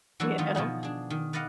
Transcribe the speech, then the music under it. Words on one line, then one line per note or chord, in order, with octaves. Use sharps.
You know?
E3 F#3 A3 D4 E4 F#4
D#3 G3 B3 F4
B2 F3 B3 G#4
D4 G#4
D#3
B4 D5 D#5 F5 F#5